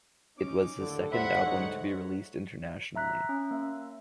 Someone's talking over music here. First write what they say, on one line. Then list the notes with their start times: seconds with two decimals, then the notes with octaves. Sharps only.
It was his second album to be released internationally.
0.38 C#4 D#4 D6
0.79 D#2 A2 D3 A4
1.12 E2 G3 C5 E5 F#5 B5
1.45 D2 G#2 D#4 C#5
2.95 E5 A#5 F#6 B6
3.29 C#4
3.51 A#3 E5